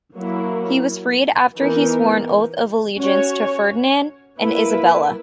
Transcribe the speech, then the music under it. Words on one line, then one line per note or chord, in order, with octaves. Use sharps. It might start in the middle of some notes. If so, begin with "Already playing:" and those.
He was freed after he swore an oath of allegiance to Ferdinand and Isabella.
F#3 A#3 E4
E3 B3 D#4 A#4
C#4 F#4 C#5
A#3 E4 B4